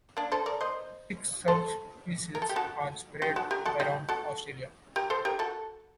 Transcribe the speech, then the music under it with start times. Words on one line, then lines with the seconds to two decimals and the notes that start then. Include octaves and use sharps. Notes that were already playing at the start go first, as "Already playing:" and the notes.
Six subspecies are spread around Australia.
0.17 A#3 D4
0.32 A4 C5
0.46 A#4 D5
0.61 C5 D#5
1.48 A4 C5
2.35 A#4
2.42 A4
2.49 G4
2.56 F#4 A4
3.22 D#4 G4
3.36 F#4 A4
3.51 G4 A#4
3.65 F#4 A4
3.80 D#4 G4
4.09 F#4 A4
4.96 G4 A#4
5.10 A4 C5
5.25 G4 A#4
5.39 F#4 A4